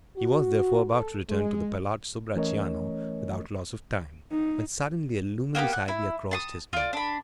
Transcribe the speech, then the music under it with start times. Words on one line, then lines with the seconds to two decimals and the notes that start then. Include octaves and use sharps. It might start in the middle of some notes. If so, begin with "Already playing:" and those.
He was, therefore, about to return to the Palazzo Bracciano without loss of time, when suddenly a luminous idea crossed his mind.
0.17 F#4
0.91 A4
1.29 G#3
2.35 E3 A3 C#4 A#4 C#5 D#5
4.31 D#4
5.55 A#3 B3 D#4 G4
5.73 F#5
5.88 E4
6.31 A5 C6 D#6
6.73 F4 D5
6.93 D4 B5